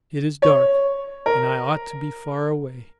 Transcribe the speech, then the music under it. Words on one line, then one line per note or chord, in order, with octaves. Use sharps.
It is dark and I ought to be far away.
C#5
A#4